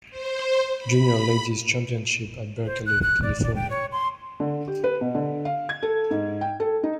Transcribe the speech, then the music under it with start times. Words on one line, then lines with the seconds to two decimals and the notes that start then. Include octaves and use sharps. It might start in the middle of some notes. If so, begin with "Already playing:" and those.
Junior Ladies Championship at Berkeley, California.
0.10 C5
0.77 B5
2.65 C5
2.86 F#6
3.02 F#6
3.23 D5
3.43 D5
3.55 G5
3.70 C#5
3.92 C6
4.40 D3
4.68 G4
4.84 B4
5.01 B2
5.15 D3
5.45 F5
5.69 G#6
5.83 A4
6.11 G#2
6.41 G5
6.60 A4
6.83 D#4